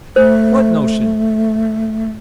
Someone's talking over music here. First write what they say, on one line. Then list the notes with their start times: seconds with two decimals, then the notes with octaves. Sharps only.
"What notion?"
0.16 A3 C5